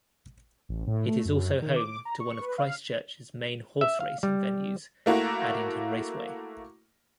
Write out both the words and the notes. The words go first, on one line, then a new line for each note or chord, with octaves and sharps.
It is also home to one of Christchurch's main horse-racing venues, Addington Raceway.
A1
A2
A3
F#2
D#3
D6
A#5
C#6
B4
F5
E5
F5
G3
A3 A#3 E4 F#4